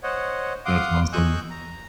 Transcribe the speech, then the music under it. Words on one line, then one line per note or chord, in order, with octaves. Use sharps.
That's awesome.
C5 C#5 D#5 F#5
F5 F#5 C6 D6 D#6
D#5 G#5 C#6 E6 F#6 G6
A#5